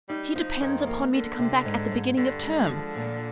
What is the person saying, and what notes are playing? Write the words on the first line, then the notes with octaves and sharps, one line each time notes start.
She depends upon me to come back at the beginning of term.
G3 D#4
F3 D#4
F2 D#3
A#3
D3 A#3
C3
G#2
G#2
G2 D3
G#3
F3
A#2